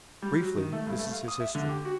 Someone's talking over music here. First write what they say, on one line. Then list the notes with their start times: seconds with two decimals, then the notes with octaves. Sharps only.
Briefly, this is his history.
0.22 G3
0.40 F#3
0.57 D#3
0.73 A3
0.87 G2
0.99 A3
1.12 F5
1.28 D#6
1.40 E5
1.55 D3
1.69 G4
1.85 F#4